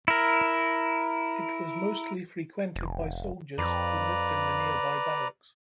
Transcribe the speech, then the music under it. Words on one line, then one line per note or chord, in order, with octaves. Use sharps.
It was mostly frequented by soldiers who lived in the nearby barracks.
E4 A#4
F1
F2 B4 D5 A#5